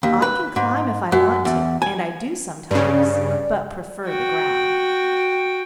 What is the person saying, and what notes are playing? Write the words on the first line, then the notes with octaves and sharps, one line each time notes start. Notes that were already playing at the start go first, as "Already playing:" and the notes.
"I can climb if I want to, and I do sometimes, but prefer the ground."
D#2
B4
G#2
F#2
E2
G#5
G2 C#3 D5
F#4 G5